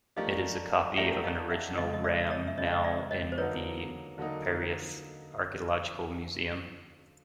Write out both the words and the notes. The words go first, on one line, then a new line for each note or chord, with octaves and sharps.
It is a copy of an original ram now in the Piraeus archaeological museum.
F3 A3 D4 G4 A#4 D#5 F5
F3 A3 D4 G4 A#4 E5 F#5
D#5 F5
E5 F#5
C#3 F3 G#3 C4 D#5 F5
D#5
D5 E5
C#5 D#5
E5
C#3 F3 G#3 C4 C#5 D#5
D#5
D5 E5
C#5 D#5
C5
D3 F#3 A#3 D#4 B4 C#5
D3 F#3 A#3 D#4